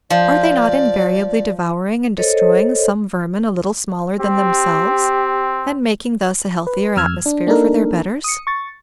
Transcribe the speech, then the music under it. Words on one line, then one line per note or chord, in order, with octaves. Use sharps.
Are they not invariably devouring and destroying some vermin a little smaller than themselves, and making thus a healthier atmosphere for their betters?
F3 D5
A4 A#4 C5 C#5 D#5
C4 G4
B4
F2 E6 F6 G#6
D4
A#3 D4 D#4 A4 A#4
D#6 C#7
C#6 A6